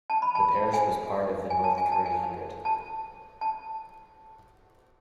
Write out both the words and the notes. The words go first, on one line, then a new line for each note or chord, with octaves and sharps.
The parish was part of the North Curry Hundred.
A5
B5
A5
G#5
G#5
A5
G#5
A5
G#5
A5
A5